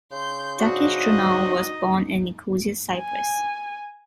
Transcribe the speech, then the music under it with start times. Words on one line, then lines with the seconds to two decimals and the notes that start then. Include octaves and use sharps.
Dakis Joannou was born in Nicosia, Cyprus.
0.12 C#3 C6 G6
0.59 C4 D4 D#4 F#4 D#5
2.97 G#5